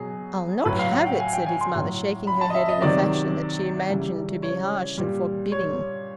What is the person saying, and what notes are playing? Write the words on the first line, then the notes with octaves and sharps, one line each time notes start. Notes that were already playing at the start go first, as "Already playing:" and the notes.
"I'll not have it!" said his mother, shaking her head in a fashion that she imagined to be harsh and forbidding.
Already playing: B2 F#3 G#4
A2 F#3 B4
F5
F#5
G5
G#5
G5
G#5
C6
A2 F#3
B5
A5
D#5
E5
D#5
C3 D#3 F#3 D5
C#3 E3 G3
C#5
A#2 G3
C#5